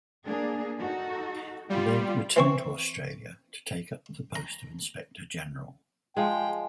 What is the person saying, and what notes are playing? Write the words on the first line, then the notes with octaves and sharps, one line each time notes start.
Legge returned to Australia to take up the post of Inspector General.
A#3 D4 G#4
D#4 F#4 A4
G3 B3 F4
E3 C4 C#6
A#5
F3 G#3 G5